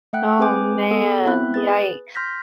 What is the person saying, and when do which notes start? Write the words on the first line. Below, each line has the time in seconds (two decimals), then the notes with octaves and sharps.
Oh man. Yikes.
0.13 A3 E5 F#5 G5 F#6
0.39 C4 G#4 B4 G#5 D6 G6
0.91 B3 G#4 A4
1.26 B3 C4 E4 E5 B5 F#6
1.54 G#4 B4 A6
2.15 C6 F6 G6 A#6 B6